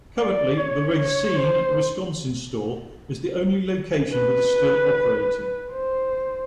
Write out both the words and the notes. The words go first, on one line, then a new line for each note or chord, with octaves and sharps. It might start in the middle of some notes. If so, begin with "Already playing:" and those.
Currently, the Racine, Wisconsin store is the only location that is still operating.
D5
C#5
C#5
C5
B4
C5